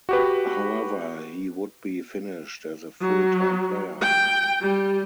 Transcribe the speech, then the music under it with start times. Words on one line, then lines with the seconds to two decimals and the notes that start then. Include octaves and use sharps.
However, he would be finished as a full-time player.
0.09 F#4 G4 B4
3.01 F#3
4.01 G5
4.61 G3